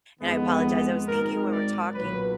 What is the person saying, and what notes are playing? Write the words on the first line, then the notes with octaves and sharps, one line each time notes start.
and I apologize, I was thinking when we're talking
F2 D#3 G#3 B3
G#1 G#2 D#3 A#4
D5
B1 A#2 F#3 B4